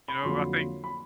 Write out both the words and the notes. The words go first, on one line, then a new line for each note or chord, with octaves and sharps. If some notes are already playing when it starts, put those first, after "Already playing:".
You know, I think
B5
F2 D3 F#3 A#3 C6
B5